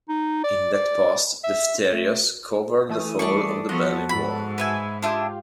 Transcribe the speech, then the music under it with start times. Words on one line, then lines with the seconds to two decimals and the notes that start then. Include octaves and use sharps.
In that post, Defterios covered the fall of the Berlin Wall.
0.08 D#4
0.44 D5
0.73 D5
1.44 E5
1.92 A3
2.89 E3 A3 D#6
3.19 G3 D4 D5 C#6
3.69 F3 B3 F#4 A4 D#5
4.09 G#2 B5
4.58 B4 E5 G#5
5.02 D4 E4 F4 G4 D#6